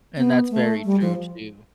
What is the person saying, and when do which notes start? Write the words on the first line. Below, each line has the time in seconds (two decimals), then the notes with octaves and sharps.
And that's very true too.
0.17 B3
0.51 A3
0.84 G3
1.01 F3